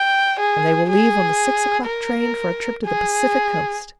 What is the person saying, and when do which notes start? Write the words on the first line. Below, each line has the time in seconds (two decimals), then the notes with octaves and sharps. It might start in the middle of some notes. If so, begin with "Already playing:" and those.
And they will leave on the six o'clock train for a trip to the Pacific coast.
Already playing: G5
0.39 G#4
0.89 G#4
1.86 A#4
2.85 G#4